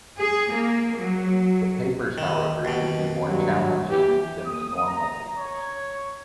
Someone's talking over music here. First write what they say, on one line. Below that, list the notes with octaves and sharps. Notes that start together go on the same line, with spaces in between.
The papers, however, should be more challenging than the normal papers.
G#4
A#3
F#3
D#3
D#2 B2
G2 F#3
E3 G4
D#6
A#5
C#5